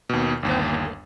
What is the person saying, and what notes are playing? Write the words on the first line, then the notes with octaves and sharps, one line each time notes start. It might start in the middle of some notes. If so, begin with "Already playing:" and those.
mhm, go ahead, ye
D#2 B2
G1 D#2